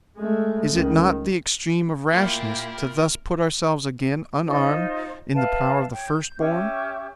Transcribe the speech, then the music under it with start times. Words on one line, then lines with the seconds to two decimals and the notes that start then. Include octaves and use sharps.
"Is it not the extreme of rashness to thus put ourselves again, unarmed, in the power of the First Born?"
0.17 G#3 A3
0.71 C#2 D#3
2.14 A#3 E4 F4 G4 A#4 C6
4.46 D#4 F4 C5
5.34 B4 E5 F5 A5
5.94 C#5 G5
6.07 G6
6.38 C#4 G4 E5 C#6